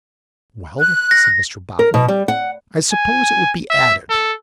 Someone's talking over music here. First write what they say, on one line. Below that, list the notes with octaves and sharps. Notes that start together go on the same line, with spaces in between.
'Well,' said Mr Boffin, 'I suppose it would be added.'
F#6
A#6
A#4
B2
G3
F#5
G#5
E5
A4